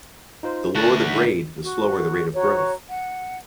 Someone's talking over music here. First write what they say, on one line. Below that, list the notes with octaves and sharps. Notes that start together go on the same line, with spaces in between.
The lower the grade the slower the rate of growth.
D#4 F4 C5
D2 F#4 A5 F#6 A6
D#4 B6
F#4
F#4 C#5 A#5
F#5